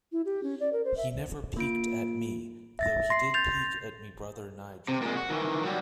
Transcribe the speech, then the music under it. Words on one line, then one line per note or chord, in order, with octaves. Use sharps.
He never peeked at me, though he did peek at me brother Nigel.
E4
G4
C#4
D5
A#4
C5
E5
A#3 F4 D7
E5 A6 A#6
C6 A#6 C7
G6 A6 F7
C3
A#2 G#3
F#4
D#3 E3
F#3 G3